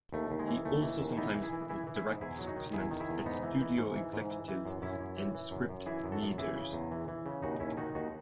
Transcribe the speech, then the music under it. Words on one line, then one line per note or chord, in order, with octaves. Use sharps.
He also sometimes directs comments at studio executives and script readers.
D#2 A3
D#2
G#3
E3
D#2 A3
E3
D#2
E3 B3 D#4
E3
E4 G#4
E3
E3 E4 G#4
E3
E4 G#4
G#2
E2 E4 G#4
F#3
D#4 F#4
D#3
E2 E4 G#4
D#3
E4 G#4
E2
G#2 B3 D#4
E3
E3
G#2
E3
G#2
E3
E3
F#2
F#2 C#4 E4
F#2
E3
E3
F#2
F#2
E3 E4 G#4
F#2
F#4 A4
F#2
E3 E4 G#4
C#3
E2
E3
E3
C#3
D#2 D#4 F#4
D#2 C#4 E4
D#3 D#4 F#4
D#2 D#4 F#4